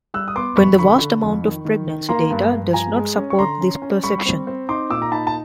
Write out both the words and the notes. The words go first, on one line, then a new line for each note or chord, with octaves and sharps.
When the vast amount of pregnancy data does not support this perception.
G3 E6 F#6
D#6
B3 C6 D6
F2 B5 C#6
D3 B5 C#6
D3
F2
D#3
D#3
D#3
A#3 A#5 C6
G2
G2
F3 G#5 A#5
G#3
C#4
C#6
D3 A#5 C6
C#4
C#4
G3 B5 C#6
C4
C4
D#4 C6 D6
A#2 D6 E6
A#5
D#4 A5 B5
A5